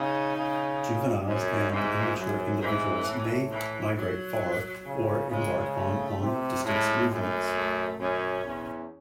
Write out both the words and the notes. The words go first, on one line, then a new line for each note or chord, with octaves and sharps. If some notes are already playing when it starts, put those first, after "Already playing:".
Juveniles and immature individuals may migrate far or embark on long-distance movements.
Already playing: C#3 D#4
C#3
F#2 C#4
G#2 E3
F#2 F#3
G#2 E3
A2
E3
F#3
C#3
C#3 G#3
A3
C3
A2 G#3
F#2 A3
A3
F#2 C#4
E2